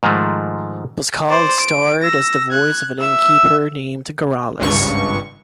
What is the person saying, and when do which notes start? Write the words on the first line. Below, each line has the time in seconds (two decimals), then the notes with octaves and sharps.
Pasquale starred as the voice of an Innkeeper named Garralus.
0.03 G#2 D#3 F3 G#3 A3
1.29 C5 D5
1.60 D7
2.02 E6 A#6
2.51 F#6 G#6
3.00 E5 E6
4.60 G#1 C#2 G2 C#6